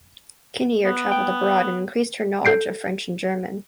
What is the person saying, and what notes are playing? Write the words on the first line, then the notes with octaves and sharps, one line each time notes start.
Kinnear traveled abroad and increased her knowledge of French and German.
B3
G5
A4 G6 C7 D7